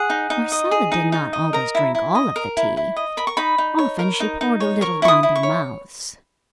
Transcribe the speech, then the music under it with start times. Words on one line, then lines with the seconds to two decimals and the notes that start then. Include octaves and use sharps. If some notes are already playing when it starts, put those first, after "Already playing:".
Marcella did not always drink all of the tea, often she poured a little down their mouths.
Already playing: G#4 F#5
0.10 D#4
0.30 D#4
0.52 D#5
0.71 G#4
0.92 D#4
1.12 D#4
1.33 D#5
1.53 A#4 A#5
1.75 E4
1.95 E4
2.15 D#5
2.36 A#4
2.57 E4
2.77 E4
2.96 D#5
3.17 A#4 B5
3.27 C#6
3.37 D#4 B5
3.58 D#4
3.78 C#5
3.99 A#4
4.20 D#4
4.41 D#4
4.60 C#5
4.81 A#4 C#6
5.02 E4 C#6
5.08 D#6
5.23 E4
5.36 C#6
5.43 C#5